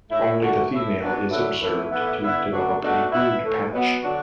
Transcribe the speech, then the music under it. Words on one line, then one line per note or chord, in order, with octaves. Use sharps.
Only the female is observed to develop a brood patch.
A2 A3 E4
D3 A3 F#4
A2 A3 E4
E3 B3 D4 F#4
D3 F#3 A3 E4
F#2 E3 A3 E4
A2 E3 B3 E4
D3 B3 E4
D3 F#3 A3 D4 F#4
B2 A3 D4 F#4
B2 B3 E4
A2 E3 A3
B2 F#3 B3
D3 F#3 D4 F#4